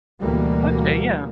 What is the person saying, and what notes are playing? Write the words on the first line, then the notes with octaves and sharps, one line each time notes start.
Okay. Yeah.
D2 B2 E3 G3 A#3